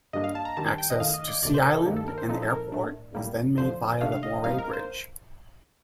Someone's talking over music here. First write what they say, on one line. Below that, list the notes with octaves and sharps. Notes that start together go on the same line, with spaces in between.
Access to Sea Island and the airport was then made via the Moray Bridge.
G2 D3 G3 A#3 D4 D#5
F5
A5
A#5
D#2 D#3 G3 D4 A5
G5
D#5
F2 D#3 A3 F5
D#5
D5
D2 C3 D#3 A3 D5
C5
A#4
A4
G2 D#3 A#3 D#4 G4
A4
A#4
C5
A#2 F3 C4 D#4 A4
A4
A#4
A2 A3 D4
A2 G3 A#3
F2 D3 F3 C5
C3 D#3 A3 D4 F5
F5
D#5
A2 G3 C4 D#4 F5
A#4
C5